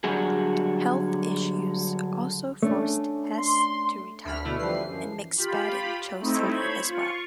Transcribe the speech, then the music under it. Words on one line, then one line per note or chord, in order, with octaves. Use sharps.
Health issues also forced Hess to retire and McSpadden chose to leave as well.
D3 F#3 G3 F#4 G#4
A3 C#4 D4
C6
D2 E5 B5 F6
B2 D3 A3 E4
E3 F3 G3 B4 C7
F#2 F3
F4 G4 B5
A3 C4 D#4 E4
C5 C#5 B5 G#6
F4 C#6